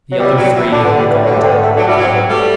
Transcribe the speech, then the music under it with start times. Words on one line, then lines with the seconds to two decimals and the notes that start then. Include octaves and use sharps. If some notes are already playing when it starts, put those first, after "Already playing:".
The other three had gone down with the boat.
0.12 F#3
0.20 E3 G3
0.37 F#3
0.54 E3
0.72 D3 D4
0.85 B3
0.98 G3
1.10 E3
1.24 D3 F#3
1.31 G3
1.36 A3
1.44 C4
1.50 B3
1.63 A3
1.76 F#3 D4
1.84 F#4
1.87 G3 E4
1.97 F#3
2.03 C4
2.15 B3
2.28 G3 A3